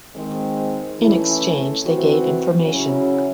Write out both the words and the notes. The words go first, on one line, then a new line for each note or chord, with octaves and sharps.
In exchange they gave information.
D#3 G#3 C4
E3 A3 C#4 E4
C3 E3 C4 F#4
C#3 F#3 C#4 E4